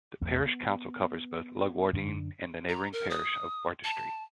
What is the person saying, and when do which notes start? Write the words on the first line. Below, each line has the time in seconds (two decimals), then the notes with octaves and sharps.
The parish council covers both Lugwardine and the neighbouring parish of Bartestree.
0.21 A1 E2 A#2 A3
0.46 B3
1.93 F#2 D3 D4
2.69 A#5
2.93 A#4
3.10 D#6
3.84 A5